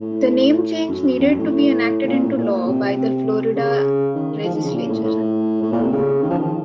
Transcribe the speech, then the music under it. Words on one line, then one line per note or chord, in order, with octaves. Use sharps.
The name change needed to be enacted into law by the Florida Legislature.
A2
F#2
F2
F#2
A2
A#2
A2
A#2
C3
C3
C#3
D#3
F3
D#3
C#3
A#2
A2
A2
A2
A#2
C3
C#3
D#3
F3
D#3